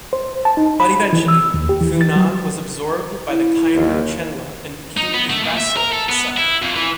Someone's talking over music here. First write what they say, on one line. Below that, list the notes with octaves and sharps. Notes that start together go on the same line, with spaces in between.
But eventually Funan was absorbed by the Khmer Chenla and became a vassal itself.
C5
A5
D#4
B5
E3
E6
D#2
G4
E3
A6
F#3
E4
D#2
D#4
B3
A3
A#2
E5
A#4
A4
B3
E4
F2
E3